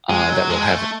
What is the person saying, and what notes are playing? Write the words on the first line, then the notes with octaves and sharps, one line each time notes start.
uh, that will have c
G#3
F#3
G#3
A3